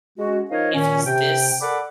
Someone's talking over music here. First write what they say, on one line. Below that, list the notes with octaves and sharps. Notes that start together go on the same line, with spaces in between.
If he's this
G#3 C#4 F#4
F3 D#4 A#4 C#5 D#5 F5
A#2 D#3 C#4
C3 G5
A4 A#4 D5 F#5 B5 D6